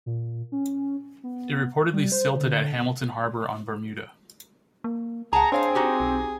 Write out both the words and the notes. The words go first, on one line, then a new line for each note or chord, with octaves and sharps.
It reportedly silted at Hamilton Harbor on Bermuda.
A#2
C#4
B3
G3
C5
D3
B3
A#3
C#2 G#4 F#5 A5 A#5
C4 D4 G#4 C#5 F5
D#4 F#4 G4
B1